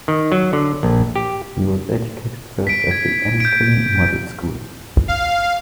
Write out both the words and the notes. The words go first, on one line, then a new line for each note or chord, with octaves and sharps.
He was educated first at the Enniskillen Model School.
D#3
F#3
D3
A#1
G4
B6 D7
G#6
G6 D7
F5